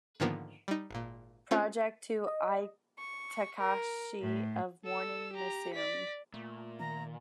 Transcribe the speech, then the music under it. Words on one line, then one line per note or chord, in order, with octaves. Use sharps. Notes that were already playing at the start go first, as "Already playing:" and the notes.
Project to Ai Takahashi of Morning Musume.
G#2 D3 D#3 F3 A#3 B3
G3 D#4
G#1 A#2
A3 C4 C#4 F4
D#5
C#6
A#4
A2
A4 E6
G4 A#5
D5 B6
A#2 A3
D#3 A#5